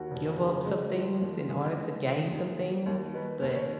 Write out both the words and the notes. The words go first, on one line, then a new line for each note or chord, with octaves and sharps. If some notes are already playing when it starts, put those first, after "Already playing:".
give up some things in order to gain some things, but
Already playing: D#2 F#4
F1
C#3
G#3
F3
D#2
C#3 G#4
G#3
F3
D#2
F#3
D#2
D#3 B4
D#2
C#5